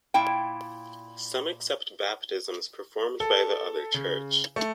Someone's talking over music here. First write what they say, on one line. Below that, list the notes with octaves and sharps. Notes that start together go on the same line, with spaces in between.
Some accept baptisms performed by the other church.
A#2 E4 G5
A4
C#3
A3